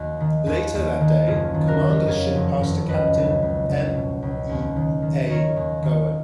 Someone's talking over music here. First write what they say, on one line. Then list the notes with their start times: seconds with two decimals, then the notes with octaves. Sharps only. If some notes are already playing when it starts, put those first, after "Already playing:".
Later that day, command of the ship passed to Captain M. E. A. Gouin.
Already playing: D#2 D#4 F#4
0.20 D#3
0.47 D#2
0.74 D#2
1.01 D#3
1.27 F#1 F4 G#4
1.54 D#3
1.68 F#4 A#4
1.81 D#3
2.06 F2 C#5 F5
2.35 F#1
2.61 F#1
2.88 C#2 B4 D#5
3.15 C#2
3.42 C#2
3.69 C#2
3.95 B2
4.22 C#2
4.49 D#2
4.76 D#3
5.02 D#3
5.29 D#3 A#4 C#5
5.56 D#2
5.84 D#3